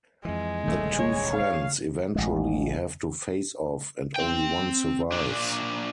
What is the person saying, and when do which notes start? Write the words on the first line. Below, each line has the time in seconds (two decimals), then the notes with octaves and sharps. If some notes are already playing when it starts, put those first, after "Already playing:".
The two friends eventually have to face-off and only one survives.
0.25 F2 E3 G#3
0.67 D#1 C2 D3 A3
0.99 C#5
1.32 F5
2.15 A1 G#3
4.16 C4 G5
5.12 A#2 D4